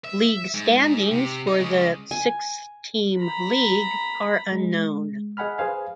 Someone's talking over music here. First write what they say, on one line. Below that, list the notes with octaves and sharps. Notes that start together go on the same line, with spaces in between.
League standings for the six–team league are unknown.
E5
G#2
C3
D#4
C#3 G#3
G#5
A#5 B5
G#3
G#4 D#5 F#5 G#5 B5 F6
G#4 B4 C5 F5 G#5